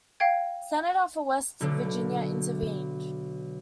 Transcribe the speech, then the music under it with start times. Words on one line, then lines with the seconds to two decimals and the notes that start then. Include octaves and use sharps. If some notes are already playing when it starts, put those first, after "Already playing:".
Senator for West Virginia, intervened.
0.20 F5 G5 G#6
1.61 B1 D3